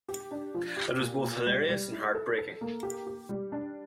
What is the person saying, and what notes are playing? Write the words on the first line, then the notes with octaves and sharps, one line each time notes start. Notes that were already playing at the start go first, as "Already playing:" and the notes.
It was both hilarious and heartbreaking.
G4
D4
F3
G4
A#2
A#2
G3
G3
E4
A4
A4
A#3
G4
G4
G3
D4